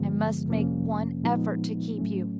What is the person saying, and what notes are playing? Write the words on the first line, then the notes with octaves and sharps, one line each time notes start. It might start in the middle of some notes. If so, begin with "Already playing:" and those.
I must make one effort to keep you....
Already playing: G2 D3 F3 G#3 B3
F2 C3 F3 A#3 C#4
A#2 F3 G#3 B3 D#4
A2 F#3 A3 C#4